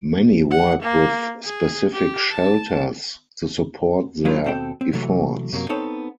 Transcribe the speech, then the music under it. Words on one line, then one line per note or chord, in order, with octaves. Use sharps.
Many work with specific shelters to support their efforts.
F#5
A#3
G#4
G4
A5
D#3 F#3 G#3 D4 E4 F4
D#2 B2 C4 A4 G5
C4
C3 E3 F#3 A3
F#2 C3 F#3 A#3
B3 C4 D#4 A4 C5 C#5